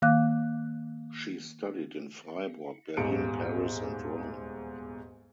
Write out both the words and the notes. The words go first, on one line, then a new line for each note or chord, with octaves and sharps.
She studied in Freiburg, Berlin, Paris and Rome.
D#3 A#3 F5 D6 F#6
D#1 E2 G#2 C#7 D7